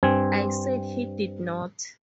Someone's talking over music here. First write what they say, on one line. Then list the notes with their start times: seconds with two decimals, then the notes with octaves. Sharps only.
I said he did not.
0.03 G2 C4 G#5